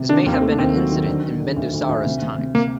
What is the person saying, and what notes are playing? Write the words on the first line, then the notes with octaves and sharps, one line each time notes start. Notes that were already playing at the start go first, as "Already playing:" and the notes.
This may have been an incident in Bindusara's times.
Already playing: C3
D#3 D4
D#2 A#3
C4
A3
D4
D#2 C4
F#3
D#3
D3
D3
D3
D2
D2
D2
C3
C3
C3
C3 A#3